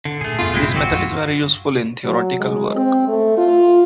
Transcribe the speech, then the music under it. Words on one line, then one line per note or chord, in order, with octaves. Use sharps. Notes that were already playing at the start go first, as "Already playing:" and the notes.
This method is very useful in theoretical work.
D3
A#2 A3 G#4
F#2 B3 F4
A#1 G2 C3 G#3 C4 E4
C4 F#4
F#2 F4
F#3
G#3
C4
A3
F4